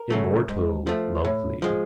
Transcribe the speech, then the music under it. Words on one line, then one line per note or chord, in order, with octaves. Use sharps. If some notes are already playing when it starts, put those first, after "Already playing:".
Immortal lovely.
Already playing: A#4
C#3 F#3 A3
G#2
F3 A3
A2
F3 G#3